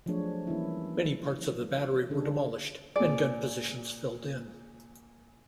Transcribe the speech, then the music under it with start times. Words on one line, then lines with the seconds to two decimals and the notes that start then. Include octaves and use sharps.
Many parts of the battery were demolished and gun positions filled in.
0.06 F3 F#3 A3 D4 G#4 C#5
0.47 E3 G3 A#3 C#4 D#4 E4
2.10 D3 C#4 D4 G#4 A4
2.96 A#2 G#4 D5